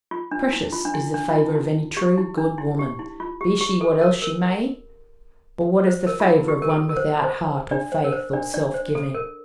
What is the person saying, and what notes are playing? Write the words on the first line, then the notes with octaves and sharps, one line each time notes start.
Precious is the favor of any true, good woman, be she what else she may; but what is the favor of one without heart or faith or self-giving?
F4
D4
E4
F4
D4
E4
D4
F4
E4
E4
G4
E4
D4
E4
G4
E4
F4
G4
G4
A4
A#4
A#4
C5
A#4
F4
E4
G4
A#4
A4
A#4
C5
C5
D4 D5
C5
A#4
C5
D4 D5
D4 D5
C5
A4
A#4